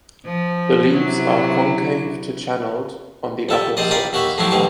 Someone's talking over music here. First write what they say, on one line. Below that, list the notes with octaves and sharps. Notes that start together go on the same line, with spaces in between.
The leaves are concave to channelled on the upper surface.
F3
C3 F#3 E4
G3 A4 E5
A#1 C3 C5 D5 D#5
D5 F5 G5 G#5 A#5 B5
D#2 F#4 G4 C#5 E5 B5
A2 F3 F#3 E4 F#4 G4
A1 D2 B2 C4 G4 C#6